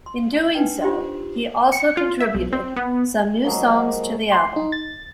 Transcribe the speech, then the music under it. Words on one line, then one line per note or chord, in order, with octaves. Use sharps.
In doing so, he also contributed some new songs to the album.
C6
D4 D#4 B4 G5
F4 G4 C5 C6
C#7
F4
E5
B1
C4
B3
F3 F#3 G#3 A#3
C6
D#4
A6